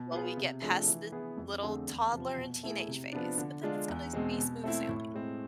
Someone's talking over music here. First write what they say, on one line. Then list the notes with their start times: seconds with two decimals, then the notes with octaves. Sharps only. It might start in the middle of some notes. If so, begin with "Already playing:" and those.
"while we get past the little toddler and teenage phase, but then it's gonna be smooth sailing,"
Already playing: B2
0.12 B3 F4 G#4
0.37 C3
0.62 F3 A3 D4 G#4
0.87 E3
1.12 B3 E4 G#4
1.37 F2
1.62 D3 A3 C4 G#4
1.88 E2
2.12 C3 F3
2.37 B2
2.63 A3 E4 G#4
2.88 C3
3.12 F3 B3 D4
3.38 D3
3.63 G#3 D4 F4
3.88 E2
4.13 B2 G#3 C4
4.38 B2
4.64 A3 C4 E4
4.89 A2
5.14 G#3 C4